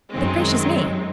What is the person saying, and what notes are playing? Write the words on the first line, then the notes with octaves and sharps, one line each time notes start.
But gracious me!
F#2 D#3 G#3 C4